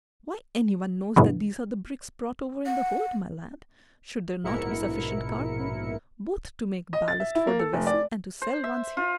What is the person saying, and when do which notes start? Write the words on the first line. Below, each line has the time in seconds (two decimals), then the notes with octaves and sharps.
Why, anyone knows that these are the bricks brought over in the hold, my lad, should there not be sufficient cargo, both to make ballast for the vessel and to sell once here.
1.16 E2 G2 B2 D3 E3
2.66 F#5
4.43 A#1 G#2 B2 E4 A#4 C#7
6.93 D#5
7.08 A6
7.20 E5
7.35 E4
7.47 A#3
7.59 A4
7.74 F1
7.87 D5
8.42 C5
8.64 E5
8.97 F4